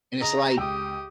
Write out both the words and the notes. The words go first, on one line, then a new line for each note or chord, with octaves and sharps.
And it's like
C#3 D#5 A#5 D#6
C#2 G4 G5 D#6 E6